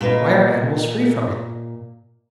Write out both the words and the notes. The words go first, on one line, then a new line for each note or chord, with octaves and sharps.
Why are animals free from it?
A#2 A#3 B4 D#5